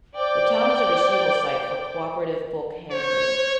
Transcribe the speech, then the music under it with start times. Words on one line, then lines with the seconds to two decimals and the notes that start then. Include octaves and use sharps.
The town is a receival site for Cooperative Bulk Handling.
0.18 C5 D5 G5 D6
2.91 C5 C#5